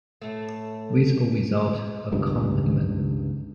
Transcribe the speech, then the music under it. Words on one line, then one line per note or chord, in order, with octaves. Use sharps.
With or without accompaniment.
A2 A3
G1 C#2 G2 D#3